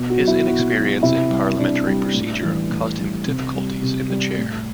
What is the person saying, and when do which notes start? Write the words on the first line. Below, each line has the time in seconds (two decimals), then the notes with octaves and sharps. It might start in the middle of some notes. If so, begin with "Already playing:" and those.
His inexperience in parliamentary procedure caused him difficulties in the Chair.
Already playing: B2
0.10 F#4
0.19 F#3
0.27 E4
0.47 B2 F#4
0.75 F#3
1.02 C3 E4
1.30 G3
1.58 C3 D4
1.87 G3
2.14 A2
2.43 E3 G3
2.70 A2
2.99 E3 G3
3.26 C3
3.55 G3
3.82 C3
4.10 G3
4.39 A2